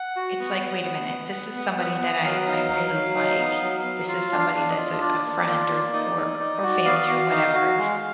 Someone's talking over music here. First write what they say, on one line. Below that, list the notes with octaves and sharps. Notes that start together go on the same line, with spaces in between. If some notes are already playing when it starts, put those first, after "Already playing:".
it's like, “Wait a minute, this is somebody that I I really like, this is somebody that's a a friend or or or family or whatever,
Already playing: F#5
F#4
B3
B3
B3
B3
B3 F#5
B3
B3 F#5
B3
F#3 F5
F#5
D#4 F5
F#3
F#3
D#4
B3
F#3
F#3
F4 F5
D4
F5
D4
D#5
F4
D4 D5
A#3
F4
A#3
D#4
D#4
D#4
F#4
B3 F5
F#4
D#4
F#4
G#3